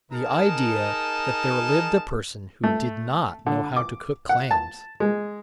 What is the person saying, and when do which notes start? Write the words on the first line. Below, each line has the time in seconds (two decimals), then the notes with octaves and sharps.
The idea that there lived a person who did not know how to cook clams!
0.12 D#4 G#4 A#4 A5
2.63 A3
3.46 D3
3.76 D6
4.29 F#5
4.51 A5
5.00 G#3